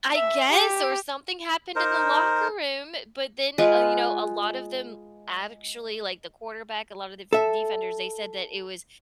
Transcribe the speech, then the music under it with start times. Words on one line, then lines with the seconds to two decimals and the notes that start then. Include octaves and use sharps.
I guess, or something happened in the locker room, but then Oh, you know, a lot of them actually, like, the quarterback, a lot of def defenders, they said that it was
0.15 E5
0.50 G4
1.76 D#4 A#4 C5
3.58 G#3 F4 B4
7.33 A4 E5